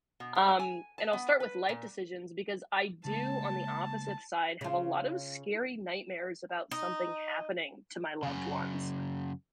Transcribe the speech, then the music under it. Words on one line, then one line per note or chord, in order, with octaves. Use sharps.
Um, and I'll start with life decisions because I do, on the opposite side, have a lot of scary nightmares about something happening to my loved ones.
B2
G#2
G#5
A5
B3
B4
A#2
C#3 G#3 A#3 A5
C#3 F4
D#4
F#2 C#3